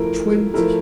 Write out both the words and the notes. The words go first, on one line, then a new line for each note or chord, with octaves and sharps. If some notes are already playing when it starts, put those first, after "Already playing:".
At twenty!
Already playing: F3 A3 E4 A#4
F3 A3 E4 A#4